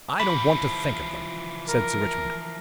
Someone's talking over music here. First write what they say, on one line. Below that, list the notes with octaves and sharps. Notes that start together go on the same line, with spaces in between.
"I don't want to think of them," said Sir Richmond.
E3 F3 B5
A#4